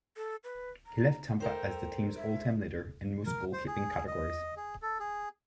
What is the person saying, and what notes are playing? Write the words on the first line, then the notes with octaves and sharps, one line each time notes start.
He left Tampa as the team's all-time leader in most goalkeeping categories.
A4
B4
A#5
A4 A#4 C5 G5
E5
A#4
C5
G#4
D#5
G#4
A4
G#4